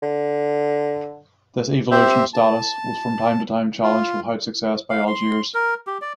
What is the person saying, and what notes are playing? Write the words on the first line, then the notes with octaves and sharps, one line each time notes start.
This evolution of status was from time to time challenged without success by Algiers.
D3
C4 G4 C5 E5
A5
F4
F5
C6
A#4
G4
D5